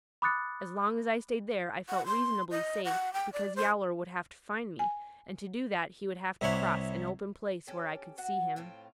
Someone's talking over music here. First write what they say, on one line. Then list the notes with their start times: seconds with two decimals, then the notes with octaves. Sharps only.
As long as I stayed there I felt reasonably safe, because Yowler would have to find me, and to do that he would have to cross an open place where I could see him.
0.22 B5 D6 D#6 F#6 A6 C#7
1.89 F#5
2.06 C6
2.51 D#5
2.85 F#5
3.14 G5
3.33 D5
3.56 C5
4.79 G#5
6.41 C2 C3 E4 C#5 F#5
7.67 C#4 G4 A4
8.18 B2 F#4 F#5
8.56 A2 C4 F4